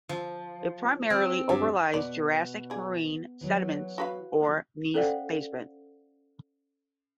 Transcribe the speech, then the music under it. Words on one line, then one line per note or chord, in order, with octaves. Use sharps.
It primarily overlies Jurassic marine sediments or gneiss basement.
F3
C4
G2
B2 D5
G#4 D5
E3 F#3
F#4 B4 F5
C#4 A4 C5 D5 F5 F#5